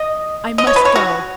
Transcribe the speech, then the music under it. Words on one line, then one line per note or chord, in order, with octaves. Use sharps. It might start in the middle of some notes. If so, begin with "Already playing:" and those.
I must go ...
Already playing: D#5
D#5
C#5
B4
C#5
F#4